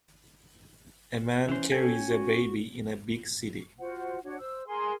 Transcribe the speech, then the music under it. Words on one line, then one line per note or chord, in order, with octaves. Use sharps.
A man carries a baby in a big city.
E3 C#4 C5
C#4 A4 G5 G#5
F#4
F4 F#4 C5 F#5
D4 F#4 C#5
C5 E6
G#4 A#4 G#5 C6